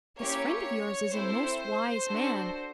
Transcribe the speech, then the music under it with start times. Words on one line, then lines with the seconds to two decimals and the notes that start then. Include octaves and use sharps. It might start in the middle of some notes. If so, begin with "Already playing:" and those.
This friend of yours is a most wise man.
0.17 A#3 C#4 E4 G4 C#5
1.13 C4 E4 A4 C5
2.07 D4 F#4 A4